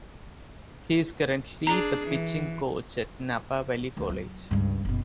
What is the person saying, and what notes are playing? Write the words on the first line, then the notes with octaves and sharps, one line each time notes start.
He is currently the pitching coach at Napa Valley College.
D4 G#4 A#5
E3
D2
F#3
C#2 G2
F#1 B2